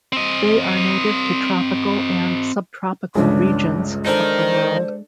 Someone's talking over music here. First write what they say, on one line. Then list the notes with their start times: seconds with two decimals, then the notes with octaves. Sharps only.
They are native to tropical and subtropical regions of the world.
0.13 C4 D#5
3.15 G1 C#2 C#3 G#3 D4
4.06 D4 D#4 A4 A#4 C5